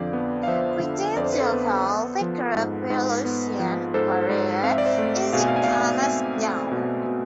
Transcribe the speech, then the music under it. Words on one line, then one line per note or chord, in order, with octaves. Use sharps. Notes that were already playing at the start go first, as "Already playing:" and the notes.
Within Deauville The Groupe Lucien Barriere is a cornerstone.
Already playing: F2 D3 F3 D5 F5
B3
F5
F3 C5 E5
D3
F2 D5
C5
B4
A4 C5
B3
B3
F3
G#2
G#2
B3
F3
G#2 A4 C5
G#2
C4 F5
E5
D5
C5 E5
A3
B2 F5
G#5
F5
G#5
F5
B2 G#5
D5 F5
C4 E5 G#5
A3
B2
B2